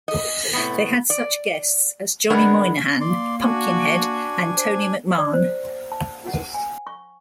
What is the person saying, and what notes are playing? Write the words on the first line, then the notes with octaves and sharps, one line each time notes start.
They had such guests as Johnny Moynihan, Pumpkinhead and Tony McMahon.
D#5
A2 C3 B3
D5
D3 G3 G#3 B3 D4 A#4
A#3 D5 C6
D4 F#4 G#5
C5
D5
C5
A5
F#5
G#5
C#6